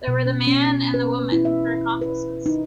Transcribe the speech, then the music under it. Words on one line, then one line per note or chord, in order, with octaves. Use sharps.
There were the man and the woman, her accomplices.
B2
C#4
C#4
B4
E4
E5
B4
D#4